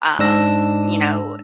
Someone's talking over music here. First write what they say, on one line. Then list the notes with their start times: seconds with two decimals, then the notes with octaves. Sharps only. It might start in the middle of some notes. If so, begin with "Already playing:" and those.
um, you know,
0.19 G#2 D4 E6 A#6